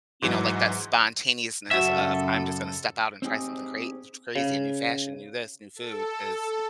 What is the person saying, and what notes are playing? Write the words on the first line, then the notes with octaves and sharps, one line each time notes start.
you know, like that spontaneousness of I'm just gonna step out and try something cra t crazy, a new fashion, new this, new food is n
G#2 E3 F#3
F#2 C#3 F#4 A4 E5 F#5 C#6
C4 D#4 G4 G#4
C#3
A4